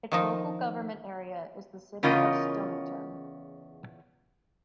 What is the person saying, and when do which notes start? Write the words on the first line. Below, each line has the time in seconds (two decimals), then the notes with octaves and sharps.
Its local government area is the City of Stonnington.
0.12 D#3 F3 D#4
2.03 E2 C#3 C#4 F4 A#4 D#5